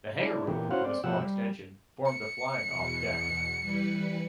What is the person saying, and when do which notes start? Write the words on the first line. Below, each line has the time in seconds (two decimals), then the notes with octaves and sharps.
The hangar roof, with a small extension, formed the flying-off deck.
0.23 D4 E4
0.47 A#2 E3 B3 G4
0.71 C#4 E4 F#4 C5 F5 F#5
0.84 C4 D5
1.04 B2 F3 G4 F#5 E6
1.21 G3
2.05 C#7
2.67 E2 B2
3.59 E3 G3 B4